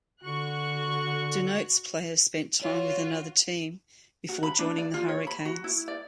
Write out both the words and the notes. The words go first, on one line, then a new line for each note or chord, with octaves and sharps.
Denotes player spent time with another team before joining the Hurricanes.
D3 F#4 C#6 F#6
F4 F#4 C#5
F#4
B5
D4
D5
F4
C#5
B5
F#4
E4
D5